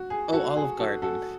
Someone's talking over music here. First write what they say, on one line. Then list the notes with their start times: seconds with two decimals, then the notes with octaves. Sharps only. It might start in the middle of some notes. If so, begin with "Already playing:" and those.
Oh, Olive Garden.
Already playing: F#4
0.10 G#4
0.33 F#4 A4
0.57 G#4
0.79 F#4 A4
1.02 F#4 A4